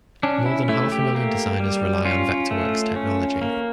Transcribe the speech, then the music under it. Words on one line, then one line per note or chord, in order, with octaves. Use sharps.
More than half a million designers rely on Vectorworks technology.
C#4 D4
E4
A3 E4
G4
A#3
G3
C#4 F4
A3
C#4
A#3